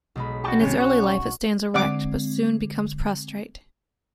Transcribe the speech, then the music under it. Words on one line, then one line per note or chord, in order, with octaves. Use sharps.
In its early life it stands erect, but soon becomes prostrate.
B1 G#3 B5
F#4 G4 G5 A5 C#6
D#2 G#2 C3 C#4
F#4
D3 G#3 C4 D5 F#5 D6